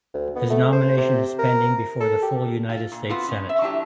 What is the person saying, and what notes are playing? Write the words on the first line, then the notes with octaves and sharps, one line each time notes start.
His nomination is pending before the full United States Senate.
D2
B3
A3
C5
C3
A#4
A4
G4
F4
A#2
B3 C4 F4 F#4 B4
C#4
E5
F#3 D4 E4 F#4 G4